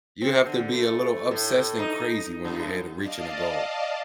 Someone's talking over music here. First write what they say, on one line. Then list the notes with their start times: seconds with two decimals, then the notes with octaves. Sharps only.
You have to be a little obsessed and crazy when you're ahead of reaching a goal.
0.22 C4
0.46 D3
0.73 A3
1.31 A2
1.79 D#4
2.45 F#2
2.96 D5 D#5 F5 A5